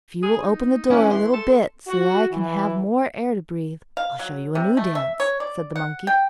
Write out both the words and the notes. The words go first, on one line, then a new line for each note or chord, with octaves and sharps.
"If you will open the door a little bit so that I can have more air to breathe I'll show you a new dance," said the monkey.
G#4
D#4
E3 C#4
E3 C6
A4
F#4
E3
F5
F#3
C3
A3
E5
C#5
D5
F#5
G5